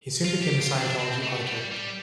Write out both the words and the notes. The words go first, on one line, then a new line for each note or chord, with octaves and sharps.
He soon became a Scientology auditor.
F4
G4
F4
D4
C4
A3
G3
G3